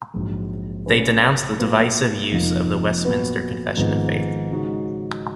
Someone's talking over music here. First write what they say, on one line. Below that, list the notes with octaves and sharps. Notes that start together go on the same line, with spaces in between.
They denounced the divisive use of the Westminster Confession of Faith.
A#1 G#2 F#3
B2 F#3 C#4 G#4 B4
A#2 F#3 A#3 F4 B4
F1 F2 F3 A#3 D#4
A#2 F#3 B3 F#4 B4
G#1 G#2 F3 B3
C#3 G#3 D#4 F#4